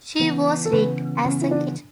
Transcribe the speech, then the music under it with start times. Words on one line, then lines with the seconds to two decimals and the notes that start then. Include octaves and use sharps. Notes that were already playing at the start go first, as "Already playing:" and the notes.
She was rigged as a ketch.
0.19 C#3 E3 B3
0.65 A4
0.73 C#3 E3 B3 B4
1.25 C#3 E3 B3 C#4
1.41 E4
1.51 D4